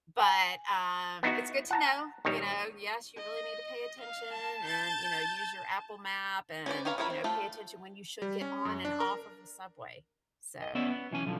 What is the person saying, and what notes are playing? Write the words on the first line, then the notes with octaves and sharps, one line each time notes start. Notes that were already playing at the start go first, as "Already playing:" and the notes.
but, um, it's good to know, you know, yes, you really need to pay attention and, you know, you use your Apple map and, you know, pay attention when you should get on and off of the subway, so
G#5
B3 D#4 E4 F#4
F#5 A5 A#5
A#1 D#3 G3 C#5
D#5
F5
A5
G6 A6
C#4 B4 C5 D5
G4 B4 C#5 F5 A#5
F#3 E4 A#4 C#5 B5
C4
A3 F4 G4 A4
G3
C#4
F#2
D4
A#4
D#5
B3 C#4 E4 D5 E5
B3
B1 E3 C#4 G#5
B1 D3 F3